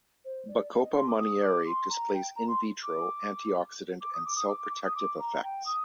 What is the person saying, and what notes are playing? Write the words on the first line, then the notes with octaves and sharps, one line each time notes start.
"Bacopa monnieri" displays "in vitro" antioxidant and cell-protective effects.
C5
D5
D5
D#5
C6
D6
D#6
D6
C6
A#5
G5
A#5
C6
D6
D6
D#6
D6
D#6
D6
D6
D6
D#6
D6
A#5
G5
D#6